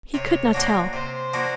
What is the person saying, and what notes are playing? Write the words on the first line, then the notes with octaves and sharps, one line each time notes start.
He could not tell.
C3 C#5
F3 A#3 D4 F#4
C3 C5
F3 A#3 D4 F#4